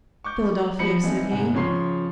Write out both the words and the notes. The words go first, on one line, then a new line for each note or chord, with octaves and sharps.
"Philadelphia," said he.
C#6 D6 G6
F3 C5 B5 C#7 F#7
E3 G3 C4 D#4 G#4
G1 C2 G#2 F#5 G#5
C#3 F3 C#5 C6 C#6 C7